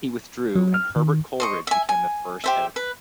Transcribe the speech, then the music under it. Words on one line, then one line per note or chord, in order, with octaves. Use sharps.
He withdrew and Herbert Coleridge became the first editor.
F#3
F6
D#3
C5 D#5 C#6
E5 G#5
G#5
G4 C5 E5
B4